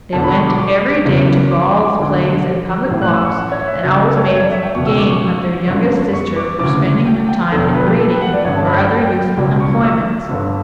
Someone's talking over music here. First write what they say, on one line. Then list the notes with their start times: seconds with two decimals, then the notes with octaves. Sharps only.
They went every day to balls, plays, and public walks, and always made game of their youngest sister for spending her time in reading, or other useful employments.
0.12 E1 E2 D3 A5
0.24 B5
0.36 C#6
0.48 D6
0.59 D6
1.05 F#1 E2 C#3 E3
1.51 D6
1.75 D6
1.98 E1 D2 D3
2.90 A1 A2 E3
3.02 F#6
3.14 E6
3.25 C#6
3.36 F#5
3.52 C#5
3.67 E5
3.83 F#1 F#2 C#3 F#4
3.94 G4
4.06 A4
4.17 C#5
4.28 C#5
4.41 D5
4.52 E5
4.63 G5
4.75 F#1 E2 B2 C#6
4.86 E6
4.98 D6
5.10 C#6
5.68 G1 F#2 D3
6.13 C#6
6.36 D6
6.59 D2 C#3 E3 D6
7.06 G5
7.29 G5
7.52 E1 E2 D3 A4
7.75 B4
7.87 G4
7.98 A4
8.10 B4
8.22 F#5
8.33 D5
8.45 A1 G2 D3 C#5
8.56 A5
8.67 B5
8.80 G5
9.37 C#2 B2
9.60 C#6
9.83 E6
10.29 G1 G2 D3